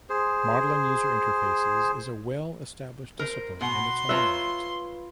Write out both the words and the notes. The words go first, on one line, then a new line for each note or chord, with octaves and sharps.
Modeling user interfaces is a well-established discipline in its own right.
G#4 C5
A#4 C5
B2 F#5 C6
F4 B4 C#5 E5 A#5